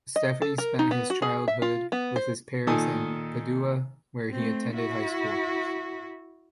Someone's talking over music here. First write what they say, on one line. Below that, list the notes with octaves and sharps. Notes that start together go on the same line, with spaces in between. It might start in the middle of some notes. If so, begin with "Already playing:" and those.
Steffani spent his childhood with his parents in Padua, where he attended high school.
D#5
A4
A#4
D#4
B3
F#4
G#4
E5
F4
B3
C5
A#2 D#3 A4 G#5 D#6
A3 C4
E4 F#4